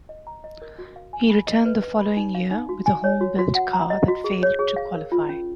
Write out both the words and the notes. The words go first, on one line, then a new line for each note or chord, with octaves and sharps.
He returned the following year with a home-built car that failed to qualify.
D#5
A#5
D#5
A#4
F#4
F5
G#5
B5
D#5
B4
B4
B5
D#4
F5
D#4
F#4
G#5
C#5
F#4
F#4
F#5
A#5
D#5
F#4
G#4
C#5
G#4
F5
A#4
F4
C#4